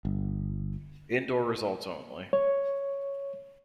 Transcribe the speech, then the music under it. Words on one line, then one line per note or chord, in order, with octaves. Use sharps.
Indoor results only.
G1
C#5